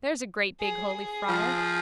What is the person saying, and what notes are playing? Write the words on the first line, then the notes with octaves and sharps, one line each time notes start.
There's a great big holy friar.
G#4
G#4
F3